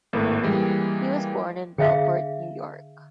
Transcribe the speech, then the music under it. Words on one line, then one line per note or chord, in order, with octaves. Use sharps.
He was born in Bellport, New York.
G#1 A2 A#3 B4
E3 G3 G#3 A#3
D3 G#4 E5 F5